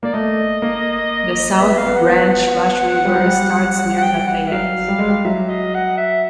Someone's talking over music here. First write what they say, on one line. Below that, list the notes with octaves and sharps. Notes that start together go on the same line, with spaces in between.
The South Branch Rush River starts near Lafayette.
A#3 D5
A3 D#5
A#3
B3 E5
F5
B3
F#5
F#5
G3
F#3
G3
F#5
F#5
G5
F#5
E5
F#3 F5
G3
G#3
G3
F#3 E5
D#5
F#5
E5